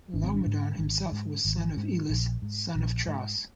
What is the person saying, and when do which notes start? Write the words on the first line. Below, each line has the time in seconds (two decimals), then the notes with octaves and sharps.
Laomedon himself was son of Ilus, son of Tros.
0.14 G#1 D4
0.24 C4
0.34 D4
0.46 G#2
0.79 G#1
1.12 G#2
1.45 G#1
1.77 G#2
2.10 A#1
2.42 G#2
2.75 A#1
3.07 G#2